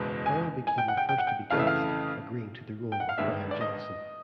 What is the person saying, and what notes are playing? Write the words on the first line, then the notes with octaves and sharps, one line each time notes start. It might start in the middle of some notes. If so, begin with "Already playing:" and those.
Hall became the first to be cast, agreeing to the role of Brian Johnson.
Already playing: F#1 E2 B2 G#3
G#5
G#5
G5
F#5
G5
G5
F#5
G5
F2 C#3 E3 A3 F5
E5
F5
G5
F#5
F5
G1 G2 D#3 G#3 E5
D5
D#5